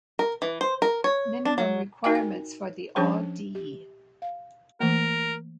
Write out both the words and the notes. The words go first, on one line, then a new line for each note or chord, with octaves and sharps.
Minimum requirements for the Au.D.
A#4
E3
C5
A#4
C#5
D4
F#3
D#4 F#4 A#4 D#5 G5 G#5
G#5
F3 C#4 D4 G#4 C5 C#5
G4
F5
E3 A3 A#3 A#4